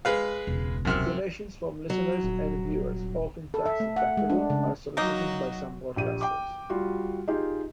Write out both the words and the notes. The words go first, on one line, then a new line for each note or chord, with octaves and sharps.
Donations from listeners and viewers, often tax-deductible, are solicited by some broadcasters.
G#3 B4 F5
E1 C#2
F#2 C3 F6
F#3
D#1
A4
E5
A3
F#5
G#3
D4
C#3
F#3 A#3 D#4 F#4
A#1 G4 D#7
G5 D6
G3 F4 F#4
D#4 F4 G4 G#4